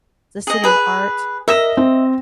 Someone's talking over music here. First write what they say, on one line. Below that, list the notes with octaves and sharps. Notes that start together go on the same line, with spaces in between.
the city of art.
G#4 D#5
G#4 B4
A#4 D#5 E5 A#6 E7
C4